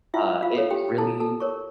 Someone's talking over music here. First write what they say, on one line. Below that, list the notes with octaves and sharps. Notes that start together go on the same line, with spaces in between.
Uh, it really
E4 F4 E5
F4 F5
A4 C#5
G4 G5
E4 A4 A5
A4 A5
A#4 C#5 C#6